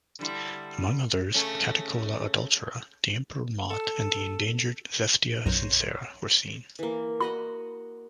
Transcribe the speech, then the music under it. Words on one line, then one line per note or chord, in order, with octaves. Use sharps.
Among others, "Catocala adultera", the emperor moth, and the endangered "Xestia sincera" were seen.
D3 G3 E4
C#3 A3 C#4
A4
B1 F#2 C5 C#5 A#5
E3 A#3
F#4 D#5 F#5 B5